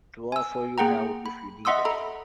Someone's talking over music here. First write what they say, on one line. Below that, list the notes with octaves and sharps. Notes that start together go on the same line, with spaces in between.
To offer you help if you need it.
G#5 E6
A#3 G#4 F#5 G5 A#5
B5
D#5 E5 F#5 C6 D#6 E6
A4 A#5 B5